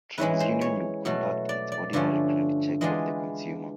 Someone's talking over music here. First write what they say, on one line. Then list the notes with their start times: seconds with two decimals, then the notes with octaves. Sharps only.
TransUnion would conduct its ordinary credit check of the consumer.
0.18 E3 G#3 C#4 E4 B4
0.40 C5
0.61 C#5
1.05 B2 F#3 A3
1.49 D5
1.72 D5
1.93 G2 D3 F3 A3 C#4
2.81 E3 G#3 B3 D4 F4 D#5